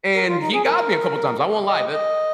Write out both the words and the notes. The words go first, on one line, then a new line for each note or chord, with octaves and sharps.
and he got me a couple of times, I won't lie. The
A#4
F4
D#4
G#4
A#4
D#5
D#5